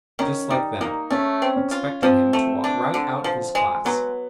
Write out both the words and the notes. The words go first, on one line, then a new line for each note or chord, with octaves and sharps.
Just like that; expected him to walk right out of his class.
D#3 C#4
G3 D#4
A#3 D#4
A3 C#4
C4
C#4
F4
F3 C4
A3
D4
D3
F3
G#3
F#3 B3